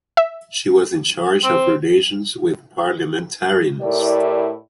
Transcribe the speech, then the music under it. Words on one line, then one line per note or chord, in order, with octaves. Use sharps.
She was in charge of relations with parliamentarians.
E5
C4
A2 E4 G4 A#4 D5